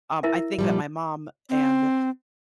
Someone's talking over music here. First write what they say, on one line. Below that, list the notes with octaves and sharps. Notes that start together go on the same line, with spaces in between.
um, I think that my mom and
E4 A#4 E5
A#2 F3 G3
C4